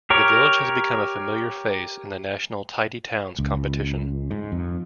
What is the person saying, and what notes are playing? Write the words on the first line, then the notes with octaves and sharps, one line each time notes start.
The village has become a familiar face in the national Tidy Towns competition.
G4 A#4 C#5
C#2
G#2
F2